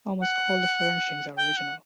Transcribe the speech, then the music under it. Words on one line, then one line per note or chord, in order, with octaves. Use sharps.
Almost all the furnishings are original.
F#5
G5
F#5